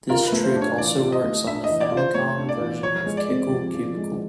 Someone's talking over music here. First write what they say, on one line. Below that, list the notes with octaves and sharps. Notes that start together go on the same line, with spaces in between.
This trick also works on the Famicom version of "Kickle Cubicle".
F4 A#4
B4
A3
C5
D4
C#5
E3 D5
F4
D#5
A3
D4 E5
D#5
E3
D5
F4
C5
A3 C#5
D4
D5
E3
F3 C#5
G#3
D5
C4
F3
F3
G#3